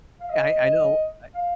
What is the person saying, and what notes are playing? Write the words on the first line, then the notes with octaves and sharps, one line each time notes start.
I I know, I
F5
D#5
F5